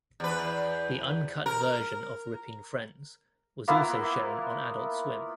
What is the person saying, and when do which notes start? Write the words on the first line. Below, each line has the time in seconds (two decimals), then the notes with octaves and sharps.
The uncut version of Ripping Friends was also shown on Adult Swim.
0.20 E2 B4
1.46 A#4
3.68 A#3 B3 E4 F4